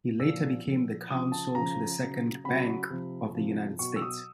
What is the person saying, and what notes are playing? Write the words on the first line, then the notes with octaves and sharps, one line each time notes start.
He later became the counsel to the Second Bank of the United States.
A#2 F3 E6
A#2 F3
C#3 F3 D#6
A5
C#3 F3 A#5
C#3 F#3
C#3 F#3 B5
C3 F3
C3 F3
B2 F#3 C#6
E6
D#6